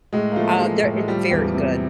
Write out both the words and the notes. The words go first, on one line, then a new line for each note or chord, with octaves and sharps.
Uh, they're it's very good.
A2 G#3
A#3
F3 A3
A3
F3 G#3
A2
G#3
F3 G3
E2 G3
C3